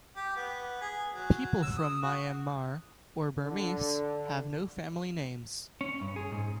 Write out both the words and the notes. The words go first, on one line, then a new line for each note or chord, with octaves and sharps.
People from Myanmar or Burmese, have no family names.
G4
B3
G#4
F#3
E6
D#6
F#4
D3
C#4
G2
G#4
G#2